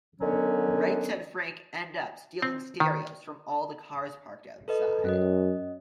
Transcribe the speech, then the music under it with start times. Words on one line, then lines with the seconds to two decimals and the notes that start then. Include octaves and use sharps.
Right Said Frank end up stealing stereos from all the cars parked outside.
0.21 D3 D#3 F#3 B3 C#4
2.42 C4
2.80 D#3
4.68 A4 B4 D#5
5.05 F#2 C#4 D#5